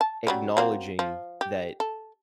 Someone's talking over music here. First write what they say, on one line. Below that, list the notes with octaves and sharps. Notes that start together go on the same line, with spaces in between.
acknowledging that
A5
F#3 G3 C#4
F#3 A#3 C4
F3
G4
A4